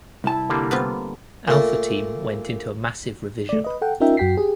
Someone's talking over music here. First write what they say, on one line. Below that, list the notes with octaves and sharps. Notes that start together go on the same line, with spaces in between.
Alpha Team went into a massive revision.
C2 E4 A5
D3 G3 A#3
B3 C4 F4
A#2 A3
A3 D5
B4 D#5
A4 F#5 G5
C#4 D#4 F4 A#4 E5 G5
F#2 F#4 G5 B6 C7
G4 G#4